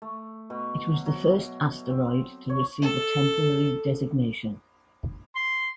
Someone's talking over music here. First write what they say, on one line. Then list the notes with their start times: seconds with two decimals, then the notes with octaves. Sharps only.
It was the first asteroid to receive a temporary designation.
0.02 A3
0.50 B2
0.93 F#3
1.06 F#3
1.90 C4
2.50 C#5
2.82 A4
5.36 C6